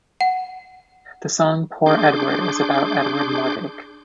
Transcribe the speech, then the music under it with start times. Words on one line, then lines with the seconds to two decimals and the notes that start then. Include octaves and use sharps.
The song "Poor Edward" is about Edward Mordake.
0.21 F#5
1.86 D4 G#4 C6 D6 G6